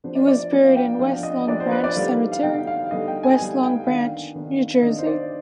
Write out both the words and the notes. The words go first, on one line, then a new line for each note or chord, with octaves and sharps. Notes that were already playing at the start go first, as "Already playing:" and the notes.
He was buried in West Long Branch Cemetery, West Long Branch, New Jersey.
F3 B3 D4 C5
D5
D5
F3 B3 D4
F5
G5
F3 B3 D4 F5
D#5
F3 B3 D4 D5
C5
B4
D5
D3 G3 B3 D#4 F5
F5
D3 G3 B3 D#4 G5
F5
D3 G3 B3 D#4 D#5
G5
G#5
D3 G3 B3 D#4 G#5
G5
D#3 B3 D4 F5
D#3 B3 D4
D#3 B3 D4 D#5
C5
D5